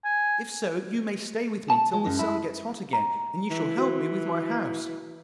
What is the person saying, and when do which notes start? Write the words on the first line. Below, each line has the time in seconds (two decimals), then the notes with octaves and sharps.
If so you may stay with me till the sun gets hot again, and you shall help me with my house.
0.04 G#5
1.70 A5
1.94 G#3
2.06 F#2
2.19 E4
2.93 A#5
3.51 E3
3.78 F#4